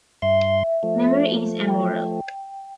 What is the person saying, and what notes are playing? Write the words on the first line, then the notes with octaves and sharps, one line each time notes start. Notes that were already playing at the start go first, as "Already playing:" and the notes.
Memory is amoral.
G2 E5 C6
F3 A3
G5